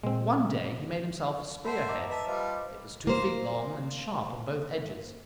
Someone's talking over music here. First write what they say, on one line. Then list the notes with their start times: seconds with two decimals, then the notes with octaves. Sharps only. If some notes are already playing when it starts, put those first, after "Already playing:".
One day he made himself a spear-head. It was two feet long and sharp on both edges.
0.04 A#2 G#3 C4
1.65 C5 E5 F#5 A5 B5
1.89 D#5 A#5 D6
2.10 B4 E5 A5
2.27 G3 F4 C5 D#5
3.07 A#3 C5